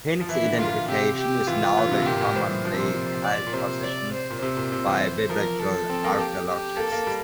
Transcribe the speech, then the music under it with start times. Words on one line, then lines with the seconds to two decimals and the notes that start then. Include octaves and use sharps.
Hincks' identification is now the commonly held position by biblical archaeologists.
0.21 F3
0.29 E3 E4
0.44 D3
0.59 A#2 F4
0.88 C3 G4
1.18 G4
1.47 E3 F4
1.62 E3
1.77 E3
1.87 D3
1.91 C3
2.02 A2
2.06 A#2 G4
2.17 A#2
2.21 A2
2.35 E3 C5
2.65 F3
2.74 C3
2.80 A#2
3.24 D5
3.47 A#2
3.53 C3 C5
3.84 D5
4.13 C5
4.30 A#2
4.42 C3 C5
4.57 A#2
4.72 C3
4.86 E3
5.30 F3 A#4
5.60 A4
5.90 C4
6.04 A#3
6.19 G4
6.48 G4
6.77 A#3 A4
6.92 A#3
7.07 G3